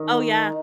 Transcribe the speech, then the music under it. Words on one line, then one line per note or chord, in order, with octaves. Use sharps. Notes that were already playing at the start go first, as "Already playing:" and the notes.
Oh, yeah.
Already playing: D#3